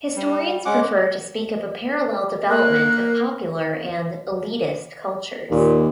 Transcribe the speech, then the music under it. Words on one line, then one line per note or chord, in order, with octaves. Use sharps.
Historians prefer to speak of a parallel development of popular and "elitist" cultures.
G3
G#3 C#4 F#5 D6
A#3 A#4 F#6
D#2 A#2